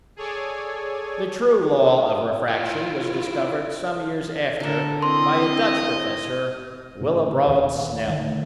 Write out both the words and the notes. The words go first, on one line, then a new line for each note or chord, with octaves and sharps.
The true law of refraction was discovered some years after by a Dutch professor, Willebrod Snell.
G#4 A4 C#5 D5 G#5
E4 F4
D3 D4 A4 A#4
C4 E4 D#5 C6
A2 C#3
D#1 D#2
D3 D#3 A3